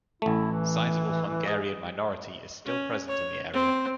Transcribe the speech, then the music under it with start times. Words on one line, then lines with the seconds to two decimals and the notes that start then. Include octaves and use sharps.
Sizable Hungarian minority is still present in the area.
0.22 A1 A3 E4
0.52 E3
1.48 G#4 D#5
2.65 C#4
3.08 C#5
3.53 C4